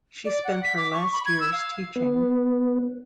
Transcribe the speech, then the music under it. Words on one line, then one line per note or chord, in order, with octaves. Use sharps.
She spent her last years teaching.
D5
F#5
B6
D6
C#6
B5
G#6
E6
F5
B3